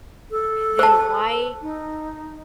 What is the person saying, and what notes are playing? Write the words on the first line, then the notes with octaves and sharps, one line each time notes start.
then why
A4
C5 A5
D#4